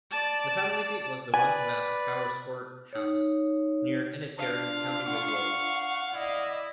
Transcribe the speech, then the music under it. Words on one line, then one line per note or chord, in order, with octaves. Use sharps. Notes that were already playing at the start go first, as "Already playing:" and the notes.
The family seat was the once vast Powerscourt House, near Enniskerry, County Wicklow.
D5 A5
B4 D5 G#5 B5
D#4 C#5
D4 F4 F5 A5
F#5 C#6
E4 D5 D#5